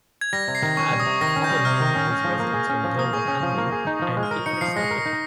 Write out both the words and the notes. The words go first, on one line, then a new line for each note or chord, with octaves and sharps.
Tadg offered him his residence on the hill of Almu, and Fionn accepted.
G#6
G3 A#6
C3
C7
D#3
C#4 C#6
G3
D#6
C3
D#3 A#6
C#4
G6
G3
C3 F6
D#3
C#4
C#4
F3
A#3
G#4
C#4
F3
A#3 D#6
G#4 C#6
C#4 D#6
F3
A#3
G#4
D#4
F3
G#3
F6
A#4 D#6
D#4 C#7
F3 C7
G#3 A#6
A#4
D#4